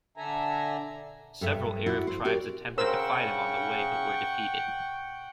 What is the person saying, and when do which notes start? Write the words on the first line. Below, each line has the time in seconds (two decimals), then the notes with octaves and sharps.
Several Arab tribes attempted to fight him on the way, but were defeated.
0.17 D3 D4 A4 E5 G#5 A#5
1.41 G2 A4 E5
1.86 E4 F#4 D5
2.07 C5
2.24 F#4 G4 A#4 D5
2.78 C#3 A#4 C5 F#5 G5 C#6 E6